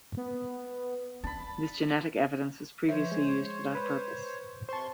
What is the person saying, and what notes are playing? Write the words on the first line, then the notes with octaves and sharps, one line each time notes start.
This genetic evidence was previously used for that purpose.
B3
D4 A5 B5
F3 C5 C#5 E5
G#3
B4
C3 C5 A5 C6 C#6